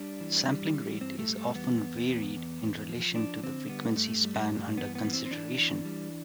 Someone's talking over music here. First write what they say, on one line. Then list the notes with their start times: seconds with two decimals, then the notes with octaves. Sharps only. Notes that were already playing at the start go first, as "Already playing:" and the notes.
Sampling rate is often varied in relation to the frequency span under consideration.
Already playing: G3 D4
0.20 E3
0.47 G3
0.74 E3
1.01 G2 C4
1.19 A3
1.28 G3
1.37 A3
1.55 E2 B3
1.82 E2
2.09 E2
2.36 E2
2.62 E2
2.89 F3
3.15 F3 D4
3.43 D3 C4
3.70 G3 B3
3.96 G2 A3
4.24 G3
4.50 G2
4.77 E3 B3
4.95 B3
5.04 E3
5.13 C4
5.26 C4
5.31 E3 D4
5.58 E3
5.85 G3